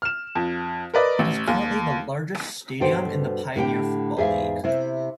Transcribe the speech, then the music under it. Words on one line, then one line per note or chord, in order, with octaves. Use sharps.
It is currently the largest stadium in the Pioneer Football League.
F6 E7
F2
A#4 B4 D5 D#5
A1
D#2
G2 B2 F#4 A4 C5 G5
A2 D3 G4 G5
E2 G#2 G#4 D5 E5 F5
C3 E4